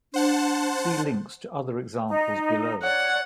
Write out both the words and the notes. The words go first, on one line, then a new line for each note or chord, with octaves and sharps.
See links to other examples below.
D4 C5 F#5 A5
D#4
C#5 D5 F#5